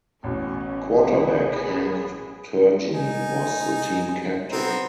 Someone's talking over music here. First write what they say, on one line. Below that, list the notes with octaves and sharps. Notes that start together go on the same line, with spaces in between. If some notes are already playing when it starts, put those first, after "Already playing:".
Quarterback Hank Turgeon was the team captain.
A1 B2 C#4
G#4 B4
D#4 G#5
B3 C4 A#5